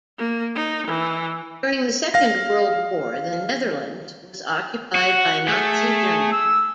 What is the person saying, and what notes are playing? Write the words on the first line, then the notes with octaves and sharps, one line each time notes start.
During the Second World War, the Netherlands was occupied by Nazi Germany.
A#3
D#4
E3
F5 A#6
F#4 F#5
A3 G#4
E6